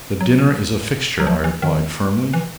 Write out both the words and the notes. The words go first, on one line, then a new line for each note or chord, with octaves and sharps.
"The dinner is a fixture," I replied firmly.
F#3
F#3
F3
E3
D#3
E3